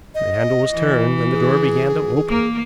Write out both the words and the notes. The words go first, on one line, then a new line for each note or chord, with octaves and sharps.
The handle was turned, and the door began to open.
D#5
E3
G#4
A#3 A#4